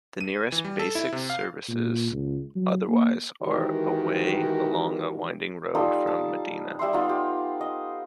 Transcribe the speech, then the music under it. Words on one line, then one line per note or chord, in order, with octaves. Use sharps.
The nearest basic services, otherwise, are away along a winding road from Maydena.
D#7
E3
G3
A4
E4
C3
F5
A#2
C#2
F#3
A#3
D#3 E3 G#3 F#4 G4 A#4
G3 D#4 F4 A4
A5
G3 E5 B5 C6
B3 D#4 F4
G4
D#5